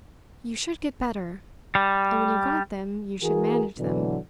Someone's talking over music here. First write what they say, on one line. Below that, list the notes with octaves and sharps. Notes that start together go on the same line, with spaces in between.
You should get better; and when you've got them, you should manage them.
G3
E3 F#4 G#4 A#4
B2 D3 E3 F#3